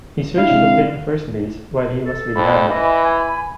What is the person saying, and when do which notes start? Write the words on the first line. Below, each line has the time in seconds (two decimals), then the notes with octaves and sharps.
He switched to playing first base while he was rehabbing.
0.38 D4 E4 F5
0.51 C3 G#3
2.05 A4
2.35 F2 B5
2.70 E3 D#5 B5
3.04 G#5